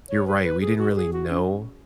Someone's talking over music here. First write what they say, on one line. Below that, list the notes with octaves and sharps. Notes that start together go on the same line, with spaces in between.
you're right, we didn't really know
C#5
B4
B4
G#4
F#4
B4
G#4
F#4
C#4